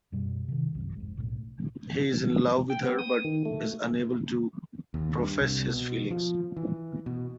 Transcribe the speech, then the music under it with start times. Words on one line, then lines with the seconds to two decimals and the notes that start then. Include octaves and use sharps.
He is in love with her but is unable to profess his feelings.
0.12 F#2 B2 G3
0.48 C3 D#3
0.75 G1 C2 F#2
0.96 F1 G#2
1.17 B1 A2
2.70 G5
2.83 B3
2.99 D#6
3.24 D#3
3.45 A3
4.94 D#2
5.18 G2
5.40 C2
5.68 B2
6.10 F3
6.57 E3
7.06 B2